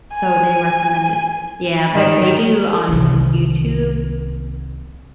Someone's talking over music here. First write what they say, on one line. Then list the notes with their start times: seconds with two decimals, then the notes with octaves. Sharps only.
so, they recommended Yeah, but they do on YouTube,
0.14 G#5
1.92 D#3
2.88 C2 D#3